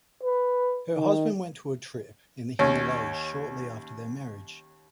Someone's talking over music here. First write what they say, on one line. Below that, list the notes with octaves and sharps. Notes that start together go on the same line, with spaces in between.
Her husband went to a trip in the Himalayas shortly after their marriage.
B4
D#3
D#2 C#4